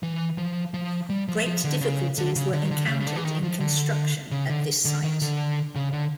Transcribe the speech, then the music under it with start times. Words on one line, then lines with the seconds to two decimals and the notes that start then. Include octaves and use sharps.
Great difficulties were encountered in construction at this site.
0.03 E3
0.38 F3
0.74 F3
1.10 G3
1.28 F3
1.46 F3
1.64 D3
1.81 C#3
2.18 D3
2.36 C#3
2.53 D3
2.64 D#3
2.71 D3
2.88 C#3
3.00 C#3
3.07 D3
3.16 E3
3.25 D#3
3.43 F3
3.60 D3
4.31 C#3
4.50 D3
4.85 D3
5.03 D#3
5.22 D3
5.75 C#3
5.93 D3